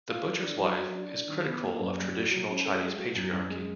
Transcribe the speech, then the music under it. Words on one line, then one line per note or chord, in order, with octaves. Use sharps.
"The Butcher's Wife" is critical of traditional Chinese patriarchy.
F4
F3
D4
F#3
F#3
D4
D4
D#3
B3
A#3
F#2
G3
F#4
F#3
C#4
A4
G#3
F#4
F#2
F#2
G#3